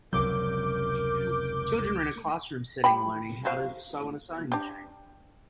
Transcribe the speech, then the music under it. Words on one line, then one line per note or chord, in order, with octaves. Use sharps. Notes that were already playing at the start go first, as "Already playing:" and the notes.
Children are in a classroom setting learning how to sew on a sewing machine.
F1 C#2 C3 F#3 A#4 D6 G6
G4 G5 B5
F#4 C5 F5
D4 G4